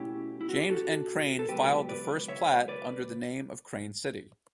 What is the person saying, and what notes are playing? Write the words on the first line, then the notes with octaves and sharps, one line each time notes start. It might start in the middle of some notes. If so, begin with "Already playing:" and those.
James M. Crain filed the first plat under the name of Crain City.
Already playing: B2 A3 C#4 E4 G4
E4
F#4
G4
F#4 A4
A4
C#2 B2 F#3 G4 B4
B4 D5
C#5 E5
B4 D5